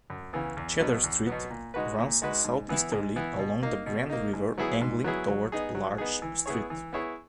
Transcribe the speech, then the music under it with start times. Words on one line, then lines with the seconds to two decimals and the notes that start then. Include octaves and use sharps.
Cedar Street runs southeasterly along the Grand River angling toward Larch Street.
0.10 F#2
0.33 C#3 E3 B3
0.57 E2
0.80 B2 F#3 B3
1.04 E2
1.27 B2 F#3 B3
1.50 A#2
1.74 G#3 D#4 F#4 B4
1.98 A#2
2.22 G#3 D#4 F#4 B4
2.44 G#2
2.69 E3 B3 E4
2.92 G#2
3.16 E3 B3 E4
3.39 B2
3.63 A#3 D#4
3.86 B2
4.10 A#3 D#4
4.33 G#2
4.58 F#3 B3 E4 G#4
4.81 G#2
5.04 F#3 B3 E4 G#4
5.28 F#3
5.52 B3 D#4 G#4
5.75 F#3
5.98 B3 D#4 G#4
6.22 E3
6.46 B3 E4 G#4 C#5
6.70 E3
6.93 B3 E4 G#4 C#5